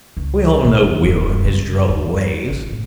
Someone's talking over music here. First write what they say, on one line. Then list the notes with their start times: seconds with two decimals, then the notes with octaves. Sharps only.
"We all know Will and his droll ways."
0.17 C#2
0.65 B2
0.83 E3
1.04 D#1
1.44 C#3
1.89 E2
2.13 F3
2.49 A1
2.70 A2